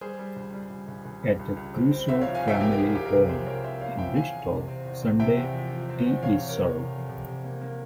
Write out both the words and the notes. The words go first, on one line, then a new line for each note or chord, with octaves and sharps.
At the Crusoe family home in Bristol, Sunday tea is served.
G3 G#4 C5
G3
C#2
G3
C#2
C#2
C#2
G3
C#2
C#2
C4
C4
C2 C5 E5
C#5 F5
F3
F5 G#5
C2 E5 G5
C2 G4 A#4
A#4
C2 G#4
C2 G4
A#4
C3 G#4
F3 G#4 C5
C2 A#4 C#5
C2 C5 E5
C2 C#5 F5
F3 E5 G5
E2 F5 G#5
E2
C3
C4
E2
C4
C3 E5 G5
E2
F3
F3
C4
E2
C3 C#5 F5
C3
A#4 C#5
C3
C3
F2
C3
C3
A#3
A#3